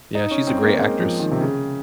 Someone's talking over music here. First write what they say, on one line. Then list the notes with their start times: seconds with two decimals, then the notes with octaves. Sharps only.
Yeah, she's a great actress.
0.15 D#4
0.31 C#4
0.47 C4
0.63 A#3
0.78 G#3
0.99 F3
1.20 D#3
1.31 C3
1.41 C#3